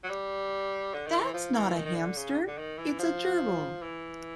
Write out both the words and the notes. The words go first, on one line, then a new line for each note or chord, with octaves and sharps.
That's not a hamster, it's a gerbil.
F#3
G3
D3
D#3
E3
F3
E3
D#3
D#3
D3
C#3
D3
D#3
E3
F3
E3